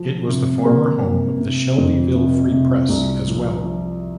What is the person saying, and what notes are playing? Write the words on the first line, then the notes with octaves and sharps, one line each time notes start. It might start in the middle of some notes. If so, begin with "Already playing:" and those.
It was the former home of the "Shelbyville Free Press" as well.
Already playing: F3
C3
A#3
C3
C3
F2
C3
C3
C2
F3
F3